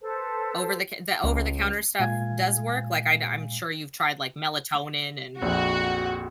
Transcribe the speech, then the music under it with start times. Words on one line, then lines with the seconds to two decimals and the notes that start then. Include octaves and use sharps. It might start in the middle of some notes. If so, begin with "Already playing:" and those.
over the c the over-the-counter stuff does work? Like I'd I'm sure you've tried like melatonin and
0.01 A4 B4 C5
1.24 C#2
1.99 A#2 G#3 F5 G#5 G#6
5.42 A#1 F2 F#4